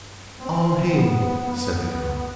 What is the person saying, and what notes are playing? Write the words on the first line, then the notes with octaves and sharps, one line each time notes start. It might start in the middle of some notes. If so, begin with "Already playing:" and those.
'All hail!' said the girl.
Already playing: G2
C4
F#2 B3
B3
G2